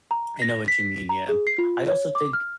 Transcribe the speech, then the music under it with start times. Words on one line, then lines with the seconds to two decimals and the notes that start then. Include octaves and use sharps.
I know what you mean, yeah. I also think
0.11 A#5
0.42 A#6
0.68 B6
1.09 A#5
1.29 G#4
1.47 C7
1.58 F4
1.88 C#5
2.15 D6
2.33 F6